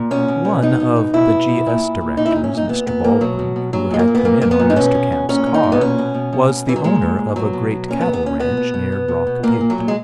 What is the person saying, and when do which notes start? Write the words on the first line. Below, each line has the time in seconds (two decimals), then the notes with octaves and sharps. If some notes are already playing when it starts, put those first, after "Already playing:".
One of the G. S. directors, Mr. Baldwin, who had come in on Mr. Camp's car, was the owner of a great cattle-ranch near Rock Butte.
Already playing: A#2
0.11 B2 C#4
0.28 B2
0.45 B2
0.62 B2 D#4
0.80 B2
0.96 B2
1.13 B2 E4
1.32 B2
1.48 B2
1.66 A#2
1.83 A#2
2.01 A#2
2.17 A#2 D#4
2.26 E4
2.31 A#2 D#4
2.44 C#4
2.52 A#2 D#4
2.69 A#2 B3
2.87 A#2 B3
3.04 A#2 A#3
3.21 B2 F#3
3.39 B2
3.56 B2
3.73 A#2 F#3
3.91 A#2 G#3
3.99 A#3
4.08 A#2
4.15 B3
4.25 A#2 A#3
4.42 A#2 A#3
4.51 B3
4.59 A#2
4.70 D#4
4.76 B2 C#4
4.94 B2
5.12 B2
5.29 A#2 C#4
5.46 A#2
5.54 D#4
5.63 A#2
5.72 B3
5.81 B2 C#4
5.98 B2
6.15 B2
6.33 B2
6.49 B2
6.66 B2 E3
6.76 F#3
6.84 A#2 G#3
7.02 A#2
7.19 A#2
7.36 B2 F#3
7.53 B2
7.71 B2
7.88 A#2 C#4
8.01 B3
8.06 A#2
8.13 B3
8.23 A#2 C#4
8.39 B2 B3
8.57 B2
8.74 B2
8.92 B2
9.08 B2
9.27 B2
9.43 A#2 A#3
9.61 A#2
9.70 F#3
9.78 A#2
9.88 G#3